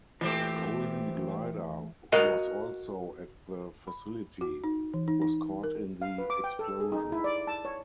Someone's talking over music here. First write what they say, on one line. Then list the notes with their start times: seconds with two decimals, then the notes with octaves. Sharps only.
Golden Glider, who was also at the facility, was caught in the explosion.
0.21 A#2 E3 A3 C4 G4
2.12 F#4 A#4 D#5 F5
3.87 B5
4.41 F#4
4.64 D#4
4.94 E3
5.08 D#4
5.22 D#4
5.64 A#4
6.02 F5
6.18 B4
6.30 D6
6.44 G5
6.59 A4
6.80 G#4
6.92 D#4
7.12 E4
7.24 D5
7.47 A5
7.65 C#5